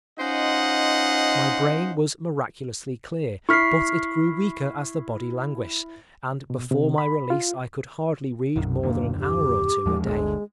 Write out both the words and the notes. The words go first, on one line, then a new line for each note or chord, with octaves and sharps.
My brain was miraculously clear, but it grew weaker as the body languished; and before my release I could hardly read more than an hour or two a day.
C#4 D#4 F4 C5 D#5 F#5
E4 C#6 F6 B6 C7
B2
C3
B5
F4
B1 F#2
D#1 F#2 D3 A#3
G4
E2 F3 G#3
G1 D2 D3 G#3